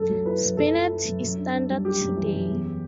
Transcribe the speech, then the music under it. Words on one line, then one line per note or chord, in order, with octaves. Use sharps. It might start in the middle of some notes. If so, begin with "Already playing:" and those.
"Spinet" is standard today.
Already playing: F#2 A4
F#3
E4 B4
F#2
F#2 A4
E4
E4
F#2
F#2
D4
D4
G3
D4 G4
F#2
E3
F#2
E2